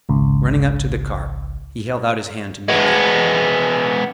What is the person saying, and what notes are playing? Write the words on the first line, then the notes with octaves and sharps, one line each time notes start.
Running up to the cart he held out his hand to Mitya.
G#1 C#2
G#3 B3